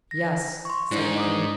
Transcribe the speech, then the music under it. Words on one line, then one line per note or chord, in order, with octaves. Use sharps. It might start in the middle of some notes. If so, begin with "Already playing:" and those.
"Yes," said the King.
A#6
C6 C#6
G#2 D4 E4 C5
D#5 D6 D#6